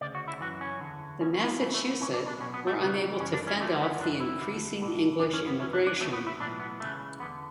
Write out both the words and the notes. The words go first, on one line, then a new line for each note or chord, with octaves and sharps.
The Massachusett were unable to fend off the increasing English immigration.
D2 C#3 D5
F#4
E4
F#2 E3 F#4
C#4
E2 D3
B1 B2 C#4
C#4
B3
C#2 C#3 E3 A3
A3
B3
B1 A2 E3 C#4
D4
D4
B1 B2 C#4
B3
A3
C#2 C#3 E3 B3
F#2 C#3 E3 C#4
D4
C#4
D2 D3 A3
B3
F#2 E3 D4
E4
E2 D3
B1 A2 E3
F#2 E3 D4
C#4
B3
F#2 E3 C#4
D4
D4
E2 B2 A3
B3
E4
B1 A2 E3 D4
B3
C#2 C#3 E3 A3
E2 D3 B3